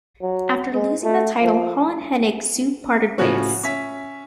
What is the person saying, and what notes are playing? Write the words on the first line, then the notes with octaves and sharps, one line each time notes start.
After losing the title, Hall and Hennig soon parted ways.
F#3
G#3
A3
F3
A2 C#3 F3 C#4 F#4
C#4 E5 B6